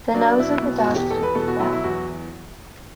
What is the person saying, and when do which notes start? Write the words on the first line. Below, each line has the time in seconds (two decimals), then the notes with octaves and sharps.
The nose of the dog should be black.
0.14 F#3 D4
0.38 B2 E4
0.62 B2
0.78 F#4
0.87 E2
0.95 G4
1.10 E2 A4
1.23 B4
1.35 B2 A4
1.48 F#4
1.59 F#3 E4
1.73 E4
1.84 E2 F#4